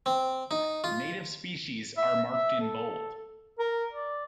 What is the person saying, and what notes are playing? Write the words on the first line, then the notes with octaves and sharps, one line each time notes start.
Native species are marked in bold.
C4
D#4
F4
E5
E5
A4
A#4
D5